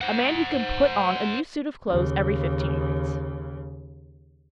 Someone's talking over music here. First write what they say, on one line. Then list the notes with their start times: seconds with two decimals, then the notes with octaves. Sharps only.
A man who can put on a new suit of clothes every fifteen minutes.
0.01 C5 F#5
1.89 D#2 C#3